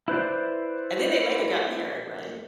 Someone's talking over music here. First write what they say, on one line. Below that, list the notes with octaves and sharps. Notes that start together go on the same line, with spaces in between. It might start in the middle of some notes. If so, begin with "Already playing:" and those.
And then they later got married, right?
E4 B4 C5 D5